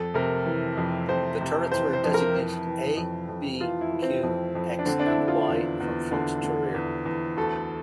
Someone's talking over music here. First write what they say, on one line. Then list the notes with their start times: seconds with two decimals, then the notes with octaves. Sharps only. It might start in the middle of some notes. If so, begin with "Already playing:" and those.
The turrets were designated 'A', 'B', 'Q', 'X' and 'Y', from front to rear.
Already playing: F2 A4
0.14 C3 A#4
0.46 E3
0.77 F2
1.09 F2 C5
1.41 C3
1.72 E3 C5
1.93 C5
2.04 F2
2.14 A#4
2.34 E3
2.66 E3
2.97 F2
3.29 F2
3.60 E3 F4
3.81 E4
3.92 E3
4.02 C4
4.23 F2
4.55 F2
4.79 D4
4.86 D3 C4
5.00 D4
5.06 E4
5.18 D3
5.28 F4
5.49 E2
5.80 E2
6.11 D3
6.43 D3
6.74 E2
7.06 E2
7.37 D2 A4